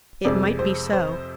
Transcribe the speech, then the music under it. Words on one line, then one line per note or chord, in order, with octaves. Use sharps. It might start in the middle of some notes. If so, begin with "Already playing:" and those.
It might be so.
F2 C3 G#3 D5
C5
C5